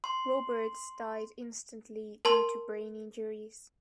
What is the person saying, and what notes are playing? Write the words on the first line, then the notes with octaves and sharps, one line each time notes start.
Roberts died instantly due to brain injuries.
C6
A#4 A5 C6